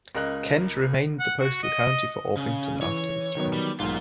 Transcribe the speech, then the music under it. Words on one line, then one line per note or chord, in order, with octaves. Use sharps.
Kent remained the postal county for Orpington after this time.
C#2 A#4 D#5 F#6 F#7
F#5
F#4
D#5
C#3
E3 C#5
D#3 F#3 B3
G3
B1 G#2 A#3 F4